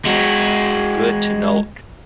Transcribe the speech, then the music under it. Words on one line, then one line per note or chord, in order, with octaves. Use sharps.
good to note,
G#3 F#4